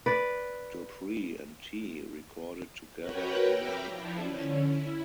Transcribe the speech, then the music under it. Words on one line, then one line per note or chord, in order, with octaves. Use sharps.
Dupree and Tee recorded together on many occasions.
B4 D5
F#4 A#4 B4 C#5 F#5 G5
E5 G5 A#5 B5 D6 F6
F3 D4 E4
D3 C#4
E4